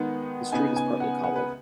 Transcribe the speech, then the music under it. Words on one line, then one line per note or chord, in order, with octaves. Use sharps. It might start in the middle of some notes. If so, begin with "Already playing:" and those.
The street is partly cobbled.
Already playing: D#3 G#3 B3 D#4 F#5
C#3 B3 D#4 G#5
G#5
F#5
F#5
B4